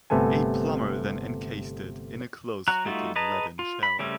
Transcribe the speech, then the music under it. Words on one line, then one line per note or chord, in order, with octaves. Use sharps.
A plumber then encased it in a close fitting leaden shell.
G1 C3 A3 B3 A4 G#5
F#3 F#4 A#5 F#6
G3 A3 D#4 F4 F#4
G#4 B4 D#5 A5 A#5
F4
B5
C#3 G3 A3 C4 C#4